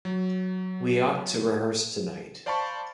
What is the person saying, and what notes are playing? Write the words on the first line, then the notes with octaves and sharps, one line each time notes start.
We ought to rehearse tonight.
F#3
C5 D5 F5 A5 B5 C#6